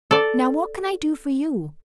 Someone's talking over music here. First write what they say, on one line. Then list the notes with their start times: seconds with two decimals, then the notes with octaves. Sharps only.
"Now what can I do for you?"
0.11 A4 D5